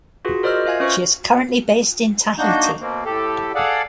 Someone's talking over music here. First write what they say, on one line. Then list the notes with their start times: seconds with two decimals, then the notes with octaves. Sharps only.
She is currently based in Tahiti.
0.25 F4 F#4 G#4 B4
0.43 A#4 C5 D5 D#5 E6 F6
0.66 F4 E5 F5 G#5 G#6
0.80 C#4 F4 B4 C5 C#6 F6
2.38 A#3 D4 D#4 F#4 G6
2.80 B2 A#3 C4
3.05 A2 G4 A4
3.55 G#4 A4 D5 F5 F#5